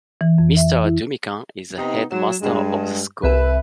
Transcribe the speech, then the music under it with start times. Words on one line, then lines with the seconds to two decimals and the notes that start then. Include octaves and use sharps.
Mr Dumican is the headmaster of the school.
0.21 E3
0.38 F2
0.57 E5
0.85 E4
1.78 C3 B3 D#4
2.11 F#3 E7
2.42 G2 G#3
3.24 C2 B4 E5